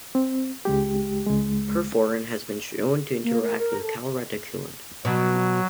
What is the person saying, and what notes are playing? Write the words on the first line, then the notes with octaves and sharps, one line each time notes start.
Perforin has been shown to interact with calreticulin.
C4
C#2 G#3 G4
C#2 G#3
A#3
A#4
A#4
A4
B2 F#3